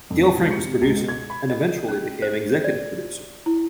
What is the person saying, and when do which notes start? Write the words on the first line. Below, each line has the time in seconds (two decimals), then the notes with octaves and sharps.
Gail Frank was Producer and eventually became Executive Producer.
0.10 F2
0.23 C#6
0.37 C#2
0.50 C#7
0.65 C3
0.81 C#2
0.96 B2
1.09 G#6
1.30 B5
1.50 D#5
1.88 C#4
2.22 C5
2.64 D5
3.46 E4